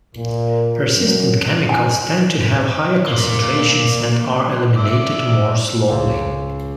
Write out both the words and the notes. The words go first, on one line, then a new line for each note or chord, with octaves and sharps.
Persistent chemicals tend to have higher concentrations and are eliminated more slowly.
A#2
F#2
G#5
A#3 D5
D5 E5 D6
C#2